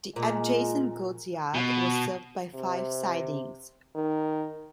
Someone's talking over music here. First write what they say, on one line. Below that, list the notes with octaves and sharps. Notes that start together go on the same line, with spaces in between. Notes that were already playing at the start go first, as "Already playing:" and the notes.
The adjacent goods yard was served by five sidings.
A#2 G#3
B2
C3
D#3